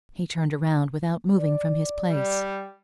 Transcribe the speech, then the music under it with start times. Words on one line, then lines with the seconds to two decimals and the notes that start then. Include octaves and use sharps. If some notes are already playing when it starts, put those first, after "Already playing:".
He turned around without moving from his place.
1.36 D5
2.10 G3